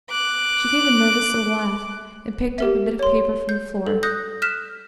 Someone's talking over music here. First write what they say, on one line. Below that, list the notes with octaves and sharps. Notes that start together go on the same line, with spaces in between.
She gave a nervous little laugh and picked up a bit of paper from the floor.
D6 F#6
G4 A#4 E5
C#5 C6
G6
A4
D#6 F#6 G6 A#6
F6 F#6 B6 E7